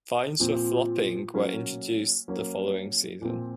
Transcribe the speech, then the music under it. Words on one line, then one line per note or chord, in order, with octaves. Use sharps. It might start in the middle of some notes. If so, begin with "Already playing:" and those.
Fines for flopping were introduced the following season.
A#2 F3 C4
F#3 A#3 C#4
F#3 A#3 C#4
A#2 F3 C4